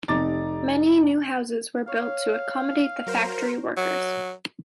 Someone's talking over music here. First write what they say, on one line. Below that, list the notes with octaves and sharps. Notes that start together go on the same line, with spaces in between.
Many new houses were built to accommodate the factory workers.
F1 C3 D#4 A#5 D6 A6
C#5 F5
F#3 A#4 C5
F#3